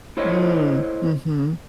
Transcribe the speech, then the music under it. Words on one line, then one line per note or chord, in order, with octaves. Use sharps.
Mm, mhm.
E4 A4 C5 C#5 D#5